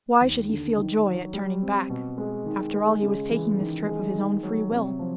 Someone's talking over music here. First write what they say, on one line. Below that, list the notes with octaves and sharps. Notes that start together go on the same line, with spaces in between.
Why should he feel joy at turning back? After all, he was taking this trip of his own free will.
D#2
D3
D#3
F#3
G3
C4
B2
G#3
D#3
G#3
C#3
E3
D#3
G#3
D#3
F#3
C3
F3